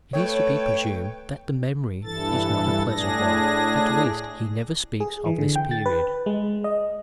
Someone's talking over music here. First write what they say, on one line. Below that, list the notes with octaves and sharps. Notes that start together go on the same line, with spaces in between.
It is to be presumed that the memory is not a pleasant one: at least he never speaks of this period.
A3 B4 C#5 G5
G2 E3 A4 A6
A2 D4 G#4 A#6
G#4
E3
D3
G5
A6
B4
G#3
D#5